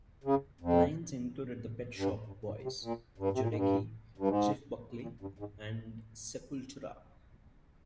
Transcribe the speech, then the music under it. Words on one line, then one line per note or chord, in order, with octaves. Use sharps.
Clients included the Pet Shop Boys, Jodeci, Jeff Buckley and Sepultura.
C#3
F2
G2
F2
G2
G#2
C3
A#2
G2
C3
A#2
G#2
G2
G2
G#2
A#2
G2
G#2